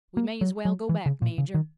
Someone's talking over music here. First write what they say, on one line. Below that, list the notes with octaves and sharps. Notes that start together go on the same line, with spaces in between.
We may as well go back, major.
A#3
F#3
F#3
E3
C#3
A#2
C#3
D#3